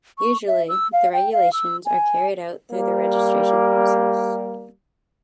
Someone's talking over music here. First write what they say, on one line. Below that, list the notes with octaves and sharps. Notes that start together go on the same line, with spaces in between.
Usually, the regulations are carried out through the registration process.
C#6
E5
E6
F5
G5
F5
E6
G#5
G3 A#3